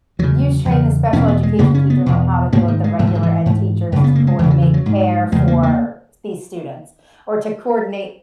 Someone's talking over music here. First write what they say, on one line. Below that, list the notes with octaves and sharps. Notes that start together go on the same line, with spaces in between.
you train the special education teachers on how to deal with the regular ed teachers to coordinate care for these students or to coordinate,
E2 C#3 F#3
E2
C#3
E2 B2 C#4
B3
G#3
F#2 C#3 A#3
C#4
B3
E2 B2
G#2 A#3
D#3
G#3
G#2 F#3
E3
D#3
E3
G#2
F#2 C#3
B3
A#3
G#3
E2 C#3 E3
F#3
E3
F#3
G#2
E2 C#3 G#3
A#3
A#3